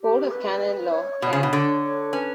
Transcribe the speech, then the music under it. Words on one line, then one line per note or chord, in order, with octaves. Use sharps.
"Code of Canon Law", can.
G4
B4
C#5
B2
C#3
B2
D3
C#4 B4